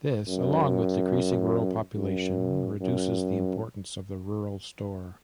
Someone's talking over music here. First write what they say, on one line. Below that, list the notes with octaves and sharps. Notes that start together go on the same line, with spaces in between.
This, along with decreasing rural population, reduces the importance of the rural store.
F#2
F#2
F#2